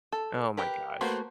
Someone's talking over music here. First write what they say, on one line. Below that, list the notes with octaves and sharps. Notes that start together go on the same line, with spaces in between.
Oh my gosh.
A4
G4 A#4 B4
A3 A#3 F#4 B4 C5